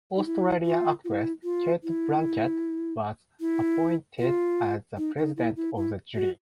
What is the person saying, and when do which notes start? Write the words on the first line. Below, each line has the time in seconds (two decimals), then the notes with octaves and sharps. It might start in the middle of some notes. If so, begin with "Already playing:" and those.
Australian actress Cate Blanchett was appointed as the President of the Jury.
0.16 D#4
0.26 E4
0.65 F4
1.04 F4
1.08 E4
1.44 F4
1.84 E4
3.40 E4
4.19 F4
4.97 D#4
5.17 D#4
5.37 E4
5.57 E4
5.76 E4
6.16 F#4